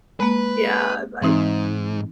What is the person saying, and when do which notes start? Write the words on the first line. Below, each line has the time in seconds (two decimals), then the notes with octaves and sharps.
yeah, like
0.20 G#3 A#3 B4
1.22 G#2 E3 C4 D#4